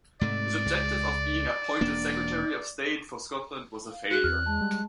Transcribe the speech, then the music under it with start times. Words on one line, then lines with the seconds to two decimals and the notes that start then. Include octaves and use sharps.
His objective of being appointed Secretary of State for Scotland was a failure.
0.21 G#2 C3 A3 D5
0.66 C#2 G#3
1.81 E1 A#3 D4
3.91 F5
4.11 F#4 G#4 F#6
4.24 E2 C4 F6
4.46 G#3 A5
4.61 G3